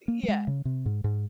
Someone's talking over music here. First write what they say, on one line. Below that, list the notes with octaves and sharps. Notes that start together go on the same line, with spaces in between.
Y yeah.
A#3
G3
G#3
C#3
C3
G#2
G#2